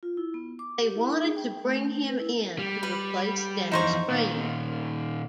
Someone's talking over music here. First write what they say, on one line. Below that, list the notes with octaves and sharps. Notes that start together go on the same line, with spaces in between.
They wanted to bring him in to replace Dennis Green.
F4
E4
B3
D6
G4
E4
D#4
G#4
G5
A3
B4
E4
G3
B4
F2 E3 D#4 C5 C#6
A#2 D#3